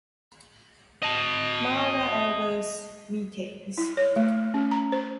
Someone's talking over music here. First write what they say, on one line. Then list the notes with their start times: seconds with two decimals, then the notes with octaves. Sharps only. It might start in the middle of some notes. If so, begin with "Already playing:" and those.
Mara Elders Meetings.
1.03 D#5 A5
3.78 E4
3.97 C#5
4.16 A3
4.54 C#4
4.71 A#5
4.92 C5